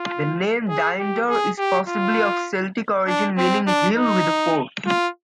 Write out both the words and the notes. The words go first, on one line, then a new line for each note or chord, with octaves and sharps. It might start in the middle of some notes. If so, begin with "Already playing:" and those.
The name Dinedor is possibly of Celtic origin meaning "hill with a fort".
Already playing: F4
G#4
G4
G#4
G4
F4
D4
C4
D4
D#4
F4